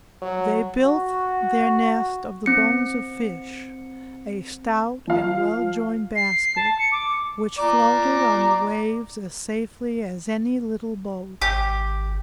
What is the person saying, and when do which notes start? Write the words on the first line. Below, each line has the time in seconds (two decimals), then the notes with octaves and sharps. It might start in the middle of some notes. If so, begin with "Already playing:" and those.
They built their nest of the bones of fish, a stout and well-joined basket which floated on the waves as safely as any little boat.
0.22 F#3
0.86 F#4
2.46 C4 C#7
5.07 F3 F5
6.16 C7
6.56 A5
6.79 C#7
6.92 D6
7.59 D5 A#5
11.42 G#1 G4